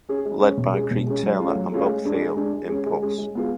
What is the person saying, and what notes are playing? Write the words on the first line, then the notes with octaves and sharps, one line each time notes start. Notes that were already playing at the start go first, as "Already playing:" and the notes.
Led by Creed Taylor and Bob Thiele, Impulse!
C#4 G#4
G#3
C#4 G#4
B2
G#3 C#4 G#4
B2
G#3 C#4 G#4
F#3
A3 C#4 F4 G#4
F#3
A3 C#4 F4 G#4
G#3
D4 G#4
G#3
D4 G#4
G#3
C#4 G#4
G#3
C#4 G#4
G#3
B3 F4 G#4